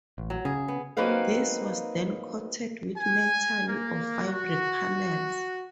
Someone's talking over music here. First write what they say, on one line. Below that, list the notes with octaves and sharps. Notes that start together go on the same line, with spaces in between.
This was then coated with metal or fabric panels.
A1
F#3
C#3 G#4
B3
F#3 A#3 C4 D#4 B4 F5
G#5
A#3
F#4